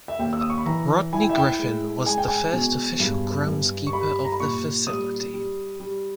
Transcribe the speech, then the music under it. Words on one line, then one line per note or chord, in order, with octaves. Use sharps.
Rodney Griffin was the first official groundskeeper of the facility.
E5
D#2 G5
E6
D#6
C#6
B5
E3 A#5
E4 G#5
G5
E5
G5
G#3
G#3 G#5
G5
G#5
B2
G2
G2
C#6
G3 B5
A#5
B5
A#2 C#6
G3 D#6
G3
G3